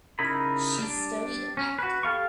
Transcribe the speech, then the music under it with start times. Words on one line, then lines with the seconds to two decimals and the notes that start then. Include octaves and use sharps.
She studied acting.
0.19 C#3 D#4 E4 A#4 B5
0.78 G3 D4
1.57 C#4
1.79 F#4 B4
2.03 G4 A4 F5 C#6